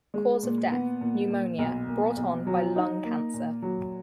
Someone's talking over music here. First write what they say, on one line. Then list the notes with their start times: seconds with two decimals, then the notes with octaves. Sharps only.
Cause of Death: Pneumonia brought on by lung cancer.
0.14 G#3
0.43 A#2
0.72 B3
1.01 A#2
1.30 A#2
1.59 B1
1.88 A#3
2.17 B1
2.47 F#3
2.76 D#4
3.04 A#3
3.34 A#2
3.62 F#3